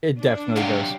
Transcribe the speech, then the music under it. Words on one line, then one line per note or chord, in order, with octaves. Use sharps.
It definitely does.
D4
F#2 C3 G4 F5